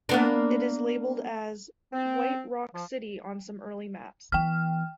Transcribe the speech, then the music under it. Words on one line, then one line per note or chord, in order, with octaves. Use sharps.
It is labelled as "White Rock City" on some early maps.
A#3 B3 D4
C4
F3
E3 B3 G5 F6